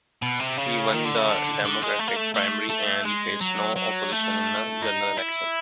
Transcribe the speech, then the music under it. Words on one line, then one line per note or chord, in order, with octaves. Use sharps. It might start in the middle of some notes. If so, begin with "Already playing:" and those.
He won the Democratic primary and faced no opposition in the general election.
B2
C3
C#3
D#3
D3
C#3
D3
D3
G#3
A3
A#3
A3
A3
A3
G#3
F#3
F#3
A3
D#4
E4